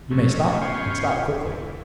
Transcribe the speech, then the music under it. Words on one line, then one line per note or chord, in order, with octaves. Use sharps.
"You may stop, and stop quickly."
F#2 A#2 F3 A3 C#4
B3 C#4 F4 G4 C5 C#5
E2